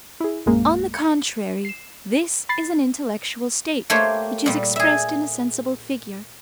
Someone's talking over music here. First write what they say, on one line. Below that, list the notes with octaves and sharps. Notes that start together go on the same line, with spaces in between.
On the contrary, this is an intellectual state which is expressed in a sensible figure.
E4 G#4
A#1 F#2 G#3 A#3
C#7
C7 E7
B5 A6 C7
A3 A#3 G4 C5 C#5
A#2 G3
G#4 E5